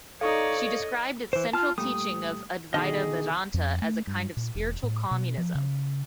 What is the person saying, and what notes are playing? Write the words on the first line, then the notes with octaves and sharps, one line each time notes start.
She described its central teaching of Advaita Vedanta as a kind of spiritual communism.
D#4 A4 C#5 D5 F5 C#6 D#6
D#5
E3 C5
F4 A5 F6
A#2 G3 A3 D#6
B2 D3 D#3 G#4 D#5
F2
A3
G2
A#2
E1
A2
B2
F3
C#3